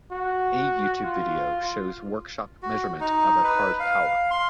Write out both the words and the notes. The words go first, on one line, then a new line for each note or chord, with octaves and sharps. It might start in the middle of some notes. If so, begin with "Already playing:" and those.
A YouTube video shows workshop measurement of a car's power.
F#4
F4
F#4
D#4
B4
F5
C6